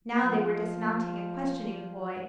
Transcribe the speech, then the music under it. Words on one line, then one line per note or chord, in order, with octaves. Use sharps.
Now they were dismounting and questioning the boy.
F3